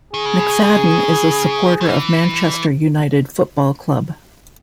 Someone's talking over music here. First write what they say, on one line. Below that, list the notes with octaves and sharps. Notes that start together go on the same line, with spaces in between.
McFadden is a supporter of Manchester United Football Club.
D#3 G#4
C#3
B2
C#3
D#3
E3